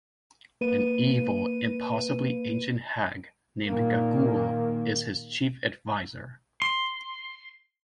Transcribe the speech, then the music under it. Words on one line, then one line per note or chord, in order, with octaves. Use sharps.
An evil, impossibly ancient hag named Gagool is his chief advisor.
A#3 B4 D#7
A#2 D#3 A#3
C6